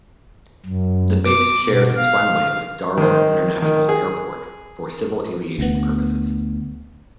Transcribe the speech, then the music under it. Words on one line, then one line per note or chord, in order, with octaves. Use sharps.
The base shares its runway with Darwin International Airport, for civil aviation purposes.
F#2
D6
B2
F5
D#3 G#3 C5
D#3
G#4
D2 B3